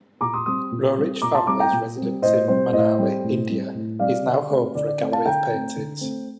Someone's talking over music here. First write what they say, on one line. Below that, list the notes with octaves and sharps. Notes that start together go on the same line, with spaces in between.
Roerich family's residence in Manali, India, is now home for a gallery of paintings.
A#2 A#5 D6
C6 D#6
G3 C4 C6 D#6
A#2
G3 C4
A#2 A#5 D6
A5 C6
G3 C4 A#5 D6
G5 A#5
A#2
G3 C4
A2 C5 D#5
G3 C4 C5
A2 C5 D#5
G3 C4
A2
G3 C4
A2
G3 C4 D5 F5
D3
A3 C4
D3 D5
D5
A3 C4
F5 A5
D3 G5 A#5
A3 C4
D3
A3 C4